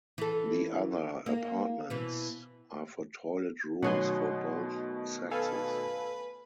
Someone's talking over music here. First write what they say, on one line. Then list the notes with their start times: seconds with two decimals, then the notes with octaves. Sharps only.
The other apartments are for toilet rooms for both sexes.
0.18 E3 A4
1.26 A#3
1.90 B2 E3
3.83 B2 D#3 F#3 A3 B3 F#5 G#5 C6
5.31 A4 B4 F5 G#5